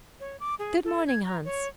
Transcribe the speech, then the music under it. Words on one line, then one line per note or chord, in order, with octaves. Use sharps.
'Good morning, Hans.
C#5
D6
G#4
A4
G#6
A#5
C#5